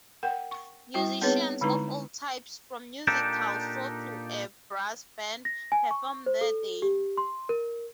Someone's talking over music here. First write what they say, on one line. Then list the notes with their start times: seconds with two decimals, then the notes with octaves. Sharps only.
Musicians of all types, from musical saw to a brass band, perform there daily.
0.23 A#4 F#5 G5
0.51 C#6
0.94 G3 E4 F#4 G5
1.22 B3 C4 D#4 G#4 B4 C#5
1.61 D3 G#3 D#4 E4 B4 A#5
3.07 A#2 D4 D#4 G4 A4
5.45 A#6
5.72 G#5
5.91 C#6
6.26 C5
6.41 A4
6.82 G4
7.17 C6
7.49 A#4